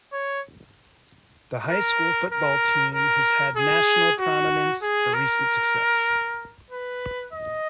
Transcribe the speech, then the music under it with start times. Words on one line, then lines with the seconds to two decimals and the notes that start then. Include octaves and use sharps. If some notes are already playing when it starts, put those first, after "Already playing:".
The high school football team has had national prominence for recent success.
0.12 C#5
1.70 A#4
2.32 A#4
2.94 A#4
3.57 G#4
4.20 F#4
4.82 G#4
5.14 A#4
6.71 B4
7.33 D#5